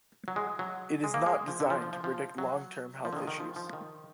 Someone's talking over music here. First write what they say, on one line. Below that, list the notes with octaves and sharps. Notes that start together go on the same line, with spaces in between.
It is "not" designed to predict long term health issues.
F#3
G#3
F#3
G#3
A#3
G#3
F3
D3
F3
F3
F3
F3
F#3
F3
D3
D#3
D#3
F3
F3
D#3